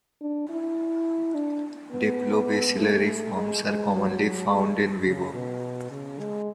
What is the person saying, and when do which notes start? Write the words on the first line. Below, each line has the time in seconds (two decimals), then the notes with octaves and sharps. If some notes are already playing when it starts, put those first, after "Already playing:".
Diplobacillary forms are commonly found "in vivo".
0.21 D4
0.50 E4
1.35 D4
1.92 B3
2.77 A3
3.35 G#3
3.63 G#3
3.92 F#3
4.48 G#3
5.06 C#3
5.34 B2
5.91 C#3
6.20 G#3